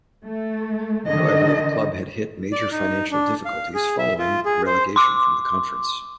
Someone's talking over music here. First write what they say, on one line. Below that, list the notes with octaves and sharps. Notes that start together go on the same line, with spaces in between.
However, the club had hit major financial difficulties following relegation from the Conference.
A3
D3 D#3 D#5
D5
D#4
D4
F5
G#4
E5
F4
G#4
C5
C6 D6